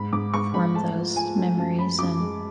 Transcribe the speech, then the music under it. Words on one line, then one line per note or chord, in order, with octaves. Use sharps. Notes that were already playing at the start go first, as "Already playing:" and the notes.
form those memories, and
Already playing: G#2 B5
G#2 D6
G#2 C#6
G#2 B5
A3 A5
F3
F3 G#5
A3
F#2 A5
F#2 B5
F#2 D6
G#3